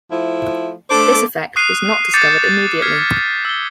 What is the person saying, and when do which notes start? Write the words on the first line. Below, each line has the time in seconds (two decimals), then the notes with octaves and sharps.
This effect was not discovered immediately.
0.12 F3 A3 E4
0.90 A3 D4 A4 C5 D6
1.56 C#6 D#6 F6 F#6 C7 D#7
2.14 D6 G6 A6 C7 C#7 D#7
2.41 F#6 A6
2.82 F6 G#6 B6 C7
3.45 E6 G7